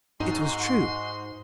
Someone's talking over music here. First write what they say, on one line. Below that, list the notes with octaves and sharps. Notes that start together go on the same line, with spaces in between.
It was true.
G#2 G#3 D#4 F#4 C6